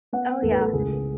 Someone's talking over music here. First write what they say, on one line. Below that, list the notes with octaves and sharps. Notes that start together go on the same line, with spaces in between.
Oh, yeah.
B3 F#5
A1 A4
B4
A4
C#2 G#4